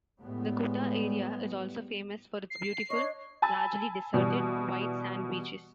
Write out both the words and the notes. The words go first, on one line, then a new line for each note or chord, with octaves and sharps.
The Kuta area is also famous for its beautiful, largely deserted, white sand beaches.
A2 G3 G#3 B3
C7
D4 C#5 D#5 C#6
G#5 A5 B5 E6 A6
B2 E3 G3